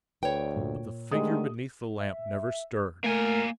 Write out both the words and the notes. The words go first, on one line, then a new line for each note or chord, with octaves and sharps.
But the figure beneath the lamp never stirred.
D2 B4 C#5 D5 G5
A#2
D3 D#3 G#3 A3 G4 D#5 D#6
E5
A3 A#3 A#4 G#5